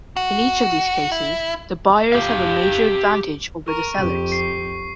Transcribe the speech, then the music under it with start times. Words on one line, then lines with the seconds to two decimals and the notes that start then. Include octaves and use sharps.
In each of these cases, the buyers have a major advantage over the sellers.
0.17 F#4
1.12 E4
2.12 G4 F5
3.68 A#4 C#6
3.98 F2 G4
4.32 C7